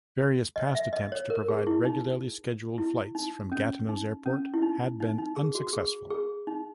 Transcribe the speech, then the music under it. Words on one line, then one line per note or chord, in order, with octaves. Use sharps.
Various past attempts to provide regularly scheduled flights from Gatineau's airport had been unsuccessful.
D#5
E5
D#5
C#5
A#4
G#4
E4
D#4
E4
D#4
C#4
D#4
C#4
E4
D#4
D#4
D#4
G#4
F#4
G#4
G#4
D#4